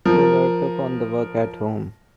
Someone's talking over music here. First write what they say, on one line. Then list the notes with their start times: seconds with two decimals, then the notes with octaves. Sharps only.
Fuller took on the work at home.
0.05 F3 A#4